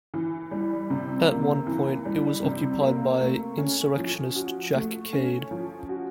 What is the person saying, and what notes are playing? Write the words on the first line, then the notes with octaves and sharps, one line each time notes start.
At one point it was occupied by insurrectionist Jack Cade.
E3
G3
C3
A#3
E3
G3
C3
A#3
A3
C#4
F3
F#4
A3
C#4
F3
F#4